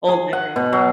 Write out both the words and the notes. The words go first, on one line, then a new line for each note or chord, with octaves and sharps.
old memories.
G#4
F#5
B2
F#3